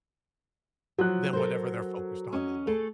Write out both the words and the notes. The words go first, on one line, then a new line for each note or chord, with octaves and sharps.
than whatever they're focused on in the moment.
F3 F#3 F#6
A4 A#4 C5
C#4 D#5
A3 G#4 A4